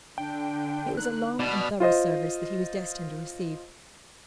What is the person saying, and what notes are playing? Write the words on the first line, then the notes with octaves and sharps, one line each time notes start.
It was a long and thorough service that he was destined to receive.
D3 D4 G5
D#4 F#6
B2 D5 B5 F6
F4 C5 D#5